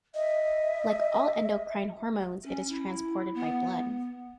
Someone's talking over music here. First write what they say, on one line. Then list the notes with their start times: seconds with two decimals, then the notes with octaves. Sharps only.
Like all endocrine hormones, it is transported by blood.
0.14 D#5 E5
2.44 C#4
2.69 E4
3.34 B3